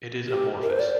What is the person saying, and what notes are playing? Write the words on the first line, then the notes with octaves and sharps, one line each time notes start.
It is amorphous.
G4
A#4
C5
D5